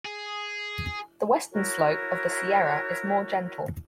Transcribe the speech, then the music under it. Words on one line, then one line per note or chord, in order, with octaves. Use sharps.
The western slope of the Sierra is more gentle.
G#4
E4 F#4 A#4 C#5